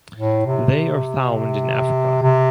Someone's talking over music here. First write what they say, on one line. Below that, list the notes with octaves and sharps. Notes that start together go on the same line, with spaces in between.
They are found in Africa.
A2
C3
C3